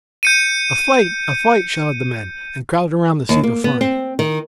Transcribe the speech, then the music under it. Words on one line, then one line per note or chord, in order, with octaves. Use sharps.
"A fight! a fight!" shouted the men, and crowded around to see the fun.
G6 C#7 D#7
D#2
A#3
B3
C4
D#3